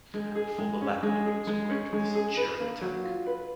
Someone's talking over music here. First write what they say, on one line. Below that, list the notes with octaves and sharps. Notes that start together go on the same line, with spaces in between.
Before the Leopard it was equipped with the Centurion tank.
G#3
G#4
G#3
C#4
G#3
G#4
G#3
C#4
G#3
G#4
B4
A#3
F#3
F4
B4